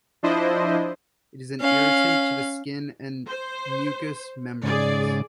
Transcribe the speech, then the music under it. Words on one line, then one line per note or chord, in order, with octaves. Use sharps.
It is an irritant to the skin and mucous membranes.
F3 D4 E4 C5 D#5
C#4 F5
C5
G#2 C#3 G#4 D5